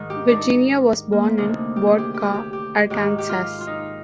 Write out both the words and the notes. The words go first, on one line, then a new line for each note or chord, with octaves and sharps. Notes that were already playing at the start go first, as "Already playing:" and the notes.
Virginia was born in Bodcaw, Arkansas.
Already playing: G#2 D#3
G4
D4
D#4
A#3
C4
D2 C3 D#3 D4
G4
G#4
G4
G4
G#4
G4
G4
G#2 D#3 G4
G4
F4
F4
D#4